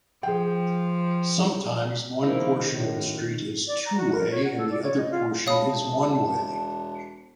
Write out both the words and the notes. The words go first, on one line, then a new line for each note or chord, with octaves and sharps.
Sometimes one portion of a street is two-way and the other portion is one-way.
F3 G#4 G5
D#3 F3 A#3 D#4 E4
F#2 A2
D5
A#5
F#4
A#4
C#5
F#5
A4
D5
C#5
D#5
F4
E1 C#5 F5 A5 B5 D#6